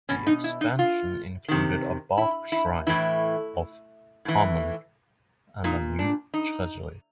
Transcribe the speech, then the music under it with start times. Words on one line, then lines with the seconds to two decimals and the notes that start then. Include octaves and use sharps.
The expansion included a barque shrine of Amun and a new treasury.
0.09 B2 C#4
0.27 D#4
0.44 E4
0.61 D#4
0.79 F4
1.48 C3 D#3
2.18 E4
2.52 E4
2.87 A2 E3 E4
4.25 A2 E3
5.64 A#2 D#4
5.99 D4
6.34 D#4